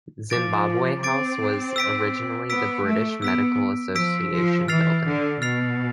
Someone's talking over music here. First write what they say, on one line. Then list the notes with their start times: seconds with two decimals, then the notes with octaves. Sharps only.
Zimbabwe House was originally the British Medical Association Building.
0.30 F3 D6 A6 D7
1.03 C4 D6 A6 D7
1.76 E6 B6 D7
2.50 B3 E6 B6 D7
2.85 A3
3.22 B3 E6 B6 D7
3.95 F3 E6 B6 D7
4.32 F3
4.68 E3 F6 A6 C7 F7
5.05 D3
5.42 B2 F6 A6 C7 F7